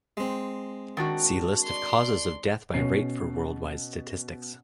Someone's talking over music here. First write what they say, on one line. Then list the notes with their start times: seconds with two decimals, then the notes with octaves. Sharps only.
See list of causes of death by rate for worldwide statistics.
0.17 G#3 C4
0.97 D#3 D4 F#4
1.64 D5 C6
2.74 B2 C#4 C7